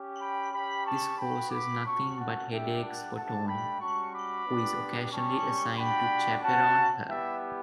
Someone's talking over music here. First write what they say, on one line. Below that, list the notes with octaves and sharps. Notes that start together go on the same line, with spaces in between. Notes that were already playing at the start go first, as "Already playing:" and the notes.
This causes nothing but headaches for Toni, who is occasionally assigned to chaperone her.
Already playing: C#4 G4
G5 B5
C#4 G4 G5 B5
A5 C#6
B3 F#4 G5 B5
B5 D6
C#4 F#4 A5 C#6
F#5 A5
G3 D4 G4 E5 G5
F#5 A5
A3 D4 G4 F#5 A5
G5 B5
G3 C#4 F#4 A5 C#6
B5 D6
B3 D4 G4
G3 C#4 G4 A5 C#6
G3 D4 F#4 G5 B5
C#4 F#4 F#5 A5
G3 B3 E4 G4 E5 G5